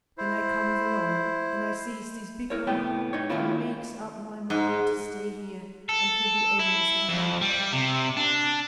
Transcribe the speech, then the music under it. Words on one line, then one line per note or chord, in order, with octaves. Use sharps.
Then I comes along, and I sees this big one, and I makes up my mind to stay here until the owners come back.
E4 C5
E4 A#4 C#5
C2 A2 A3 B3 G5
D#4 C#5
D#3 E3 A#3 C#4 E4 F4
G#2
A4
E4
F2
G3
C3
D4